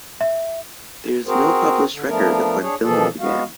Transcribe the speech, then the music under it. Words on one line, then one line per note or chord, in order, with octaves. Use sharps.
There is no published record of when filming began.
E5
C4 F#4 G#4 A#4 C5
D3
F3 A3 B3 D4 A#4
D4 G#4 C#5
B2 E3 F3 A#3 G#4 A4
G#3 B3 F#4 F5